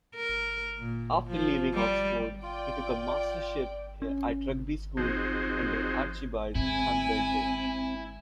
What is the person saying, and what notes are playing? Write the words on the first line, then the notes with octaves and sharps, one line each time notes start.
After leaving Oxford he took a mastership at Rugby School under Archibald Campbell Tait.
A#4
A#2
F3
G3
F4 D5 G5
C#4
F3 C4 D#4 F#4 G#4 C5
G#2 D3 C4 E4 G#5